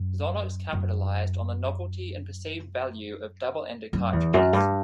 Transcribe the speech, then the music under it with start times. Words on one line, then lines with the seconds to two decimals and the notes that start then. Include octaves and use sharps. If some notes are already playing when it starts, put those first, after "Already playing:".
Xonox capitalized on the novelty and perceived value of "double-ender" cartridges.
Already playing: F#2
0.73 F#2
3.93 F#2
4.13 E2
4.34 F#2
4.53 G2